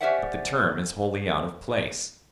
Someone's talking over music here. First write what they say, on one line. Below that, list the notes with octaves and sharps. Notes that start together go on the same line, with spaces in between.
But the term is wholly out of place.
C#4 G4 C5 D5 E5 F#5